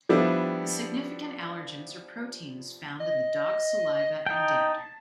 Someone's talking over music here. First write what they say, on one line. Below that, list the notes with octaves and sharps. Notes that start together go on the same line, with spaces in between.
The significant allergens are proteins found in the dog's saliva and dander.
F3 G3 B3 D4 E4
D#5
D#4 G5 A5